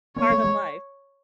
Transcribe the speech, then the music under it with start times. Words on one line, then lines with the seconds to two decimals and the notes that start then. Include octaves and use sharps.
part of life.
0.17 A#3 C#5
0.30 A3
0.44 G#3